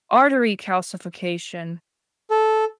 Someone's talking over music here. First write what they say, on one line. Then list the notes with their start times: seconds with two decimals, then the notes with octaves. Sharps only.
artery calcification.
2.30 A4